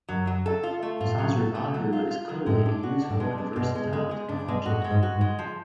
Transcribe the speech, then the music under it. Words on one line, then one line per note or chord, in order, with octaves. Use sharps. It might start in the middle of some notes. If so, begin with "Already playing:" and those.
Sosrobahu is clearly a useful and versatile technology.
F#2 F#3
F#3
A4
F4
A3
A2 F4
F#3
A4
A3
F#3
F4
F4
F#3
A2 G#3
D4
F#4
D4
A2
B2 G#3
D4
B2 G#3
G#3
C#3
D3 G#3
G#3
C#3 D4
B2 G#3
A2 F#4
G#3
G#2
F#4
G#2
G#3
F3